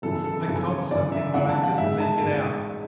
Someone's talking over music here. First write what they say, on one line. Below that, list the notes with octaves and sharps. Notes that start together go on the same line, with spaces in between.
I caught something, but I couldn't make it out.
G#1 F#2 C#3 E3 A4
A4
G#1 F#2 C#3 E3 A4
C#5
G#1 F#2 C#3 E3 D5
E5
G#1 F#2 C#3 E3 F#5
A5
F#5
A1 G#2 G#3 E5
A5
A1 G#2 G#3
G#3